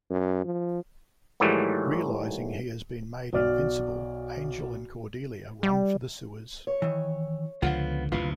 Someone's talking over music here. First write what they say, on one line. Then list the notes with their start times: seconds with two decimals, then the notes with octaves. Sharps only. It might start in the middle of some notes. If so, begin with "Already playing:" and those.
Realising he has been made invincible, Angel and Cordelia run for the sewers.
0.10 F#2
0.45 F3
1.40 G#2 D#3 E3 F#3 G3 A3
3.33 B1 F#4 D5 F6
5.63 G3
6.67 C#5
6.82 D#3 E3
7.62 C#2 D3 F3 B3 F4 F#5
8.12 F#1 D2 C3 E4 F4 B4